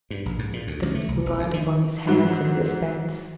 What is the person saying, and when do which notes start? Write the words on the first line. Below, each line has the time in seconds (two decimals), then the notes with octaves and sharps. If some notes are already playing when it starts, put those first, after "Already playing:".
There was blood upon his hands and wrist-bands!
0.10 G2
0.26 A#1
0.39 G#2
0.53 A#2
0.67 D2
0.83 C#2
0.95 A3
1.08 C2
1.26 E1
1.39 D2
1.53 D#3
2.07 G#2 F#3